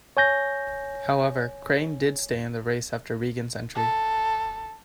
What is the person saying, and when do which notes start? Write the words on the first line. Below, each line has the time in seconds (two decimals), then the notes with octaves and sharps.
However, Crane did stay in the race after Reagan's entry.
0.17 C#5 G#5 G6 A#6
3.75 A4